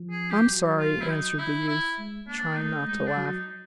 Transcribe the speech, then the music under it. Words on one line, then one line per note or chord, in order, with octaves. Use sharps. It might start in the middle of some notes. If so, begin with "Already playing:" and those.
"I'm sorry," answered the youth, trying not to laugh.
Already playing: F3
G#4
G4
F#3
F4
E4
D#4
E4
E4
G#3
A#3 D4
A3 D#4
G#3 D#4
D4
F#3
D#4